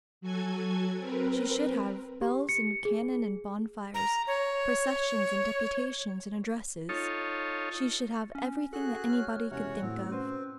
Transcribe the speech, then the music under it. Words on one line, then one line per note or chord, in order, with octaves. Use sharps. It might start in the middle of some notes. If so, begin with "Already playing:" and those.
She should have bells and cannon and bonfires, processions and deputations and addresses--she should have everything that anybody could think of.
F#3 F#4 A4 G#5 G#6
C4 A#4 B4
G4
C#7
G#4
A#5
C#5
D#4 F4 A4 C#5
C#4
F#4 G#4 A4 F#6
C#5 F6
E1 C3 C#4 F#4 C#5 F#5
A2 C4 F#4
C#4 B4 C5